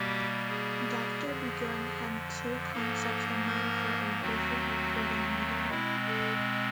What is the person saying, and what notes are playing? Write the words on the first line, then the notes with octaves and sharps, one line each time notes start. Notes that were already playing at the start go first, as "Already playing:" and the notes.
Doctor Begun had two concepts in mind for a different recording medium.
Already playing: B2 G3 A#3 G4
G#4
F2 D3 F3
G#2 F3 A#3 A4
A#4
D#2 D#3 F#3 A3 C4 F#4
B2 G#3 C4 E4
A4